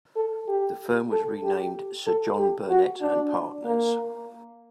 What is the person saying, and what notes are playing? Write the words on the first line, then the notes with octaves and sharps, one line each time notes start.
The firm was renamed Sir John Burnet & Partners.
A4
G4
A4
G4
A4
G4
F#4
D4
A#3